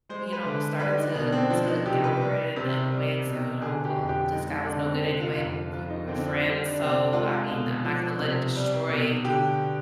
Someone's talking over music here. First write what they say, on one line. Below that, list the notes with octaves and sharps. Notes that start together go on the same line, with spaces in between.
you know, started to to get over it in a in a way and say, "Oh, you know, well, this guy was no good anyway, and we were we were friends. So, I mean, I'm not gonna let it destroy
G#3 C5
B4
D3
G3 B4
D#4
B2 D4
C4
F3 D4
D#4
C3 G4
B4
G3
C3
G3
B2
D3 G#4
G4
F2
G4
G#3 D#4
D#4
D3 D4
C4
C3 D#4
F4
F2 F4
F3 F4
D#4
D3 C4
D4
G3 D#4
D4
C3 C4
D4
G#3 F4
B2
F3
C3
G3
B2
D3 G4